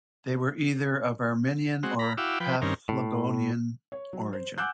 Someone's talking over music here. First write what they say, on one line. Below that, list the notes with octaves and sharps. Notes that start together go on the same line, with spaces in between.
They were either of Armenian or Paphlagonian origin.
G#3 C4 F#4
A#5 B5
E4 F#4 F5 G5 D6 E6
F3 B4 G5
G2 D#3 C4 C#4 A#4
A2
C#5
F#3
C5
F#5 G#5 D6 E6 F#6 G6